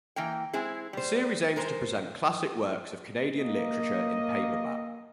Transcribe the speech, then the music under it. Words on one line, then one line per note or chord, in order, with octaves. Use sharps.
The series aims to present classic works of Canadian literature in paperback.
E3 A#3 G5
G#3 C4 E4 G#4
G3 C5
G#3 A#4 C5
A#3 D#5